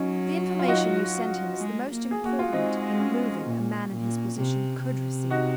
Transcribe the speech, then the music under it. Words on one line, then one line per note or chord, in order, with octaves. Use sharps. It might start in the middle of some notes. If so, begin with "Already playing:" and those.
"The information you sent him is the most important, and moving, a man in his position could receive."
Already playing: F#3 C#4 D#4
F4
D#4 F#4
G#3
A#3
G#4
A#3 F#4
F4
G#3 C4 D#4
C#4
A#2
A#2
C3
C3
D#4 F#4